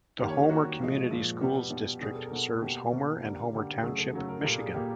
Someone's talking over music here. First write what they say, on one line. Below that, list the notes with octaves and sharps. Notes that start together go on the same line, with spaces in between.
The Homer Community Schools District serves Homer and Homer Township, Michigan.
D#3 G3 A#3 G4
C#5
G4
D#3 G3 A#3 F#4
A#2 F3 G#3
A#2 F3 G#3
B2 G3 B3 G4
B2 G3 B3
B2 G3 B3 G#4
A4
A#4
B2 G3 B3 A4
B2 G3 A#3 G4
B2 G3 A#3
D3 G3 A#3
D3 G3 A#3
C#3 F#3 A3 G#4
A4
C#3 F#3 A3
A#4
A#2 G3 A#3 A4
G#4
A#2 G3 A#3 G4